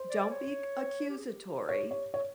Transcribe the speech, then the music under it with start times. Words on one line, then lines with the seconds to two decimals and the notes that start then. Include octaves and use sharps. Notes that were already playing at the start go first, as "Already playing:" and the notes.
don't be c accusatory,
Already playing: C5
0.10 D5
0.30 C#5
1.09 G4
1.18 G#4
1.26 G4
1.69 C#5
1.91 C#5
2.14 C#5